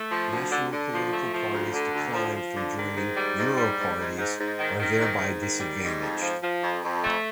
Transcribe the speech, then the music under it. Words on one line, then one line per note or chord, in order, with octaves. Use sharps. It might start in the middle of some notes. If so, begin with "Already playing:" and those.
National political parties disinclined from joining Europarties are thereby disadvantaged.
Already playing: A3
F3
D2
D3
D3
F3
A3
F3
D2
D3
D2
F3
F3
D3
D#3
G#2
G3
G#2
G3
G#2
G#2
G#2
G#2
D#3
D#3
G#2
G#2
D#3
G3
G#2
F2
F3
F3
F2
F2
A3